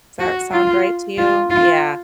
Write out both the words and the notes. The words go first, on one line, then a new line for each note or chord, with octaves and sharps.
Does that sound right to you? Yeah.
F#4
F4
F4
F4